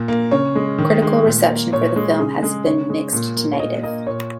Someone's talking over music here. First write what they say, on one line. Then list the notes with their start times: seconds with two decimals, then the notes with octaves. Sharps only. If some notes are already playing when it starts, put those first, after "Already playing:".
Critical reception for the film has been mixed to negative.
Already playing: A#2
0.08 A#3
0.31 C#3 C#5
0.55 G#3
0.78 D#3
1.02 G#3
1.25 A#2
1.49 A#3
1.72 A#2 C#5
1.96 G#3
2.19 C#3 G#4
2.43 G#3 G#4
2.66 C#3 C#5
2.90 G#3
3.12 A#2
3.36 A#3
3.52 C#5
3.60 A#2 D#5
3.83 A#3 D#5
4.07 A#2 C#5